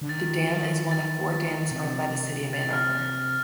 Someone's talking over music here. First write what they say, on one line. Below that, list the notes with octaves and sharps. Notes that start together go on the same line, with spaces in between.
The dam is one of four dams owned by the city of Ann Arbor.
D3
D#3 A6
A6
C3
A6
F6